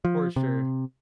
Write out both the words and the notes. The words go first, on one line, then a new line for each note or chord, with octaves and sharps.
For sure.
F3
C3